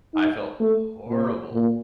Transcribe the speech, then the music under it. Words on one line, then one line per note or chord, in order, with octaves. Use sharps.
I felt horrible.
D#4
A3
A#2
A#2